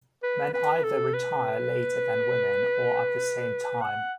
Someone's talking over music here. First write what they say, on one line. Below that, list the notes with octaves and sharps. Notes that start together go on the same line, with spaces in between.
Men either retire later than women or at the same time.
B4
B4
A4
B4
F#5